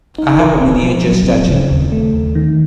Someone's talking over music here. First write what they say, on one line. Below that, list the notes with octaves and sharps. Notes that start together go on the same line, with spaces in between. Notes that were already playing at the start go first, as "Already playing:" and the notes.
I have a miniature statue.
D#4
A#4
C4
F3
F#3
C4
C#3
D#2
A3
D#2
D#3